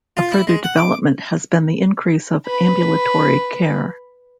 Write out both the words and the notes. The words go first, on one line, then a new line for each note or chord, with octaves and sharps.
A further development has been the increase of "ambulatory care".
F4
E4
G#3
F#5
D6
B4 B5